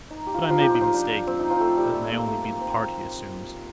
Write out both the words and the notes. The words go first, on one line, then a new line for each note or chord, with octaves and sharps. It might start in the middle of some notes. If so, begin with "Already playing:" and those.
But I may be mistaken; that may only be the part he assumes.
D#4
G4
F4
D#4
F3 F4
G4
F4
D#4
F3 F4
D4
C4
D#4
F3 F4
A3 A4
G3 G4
A3
A#3
A3
A#3
C4